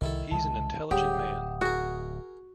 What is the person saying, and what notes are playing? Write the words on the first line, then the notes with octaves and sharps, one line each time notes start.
He's an intelligent man.
C2 D#3 E4 A4
C2 C#3 G#3 A5
D1 C#3 G3 G4 F#5 D#6
F#4 G#4 A#4